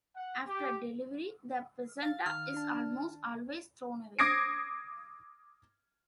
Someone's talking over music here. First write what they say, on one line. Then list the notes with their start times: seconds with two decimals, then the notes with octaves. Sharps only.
After delivery, the placenta is almost always thrown away.
0.16 F#5
0.48 G4
2.03 F5 A6
2.26 D#3 F6
2.54 D4 A5
4.19 D6 D#6 G#6 A#6 C7 D7